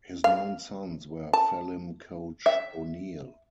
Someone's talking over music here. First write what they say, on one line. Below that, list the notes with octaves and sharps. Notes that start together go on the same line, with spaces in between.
His known sons were Phelim Caoch O'Neill.
F5
A5
E5